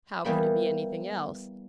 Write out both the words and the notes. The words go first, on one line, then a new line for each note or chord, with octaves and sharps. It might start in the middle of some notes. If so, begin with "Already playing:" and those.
How could it be anything else!
E2 E3 G3 A#3 B5